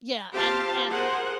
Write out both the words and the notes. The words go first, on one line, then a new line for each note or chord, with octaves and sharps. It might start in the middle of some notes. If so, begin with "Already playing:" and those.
Yeah, and and,
C4 F4 G4 C5 F5 A5
G#4 A#4 C5 F#5